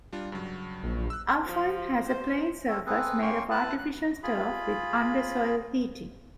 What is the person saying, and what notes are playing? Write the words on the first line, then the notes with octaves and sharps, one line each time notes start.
Alfheim has a playing surface made of artificial turf with under-soil heating.
G3 D4 F4
G2 C#3 F#3
A#1
E6 F#6
F3
C5
C4 A4 C#5
C4 G#4 A4 B4
A#3 C#4 G5 C6 C#6
E4 B4 A5 F#6
F#6
F4 G#4 B5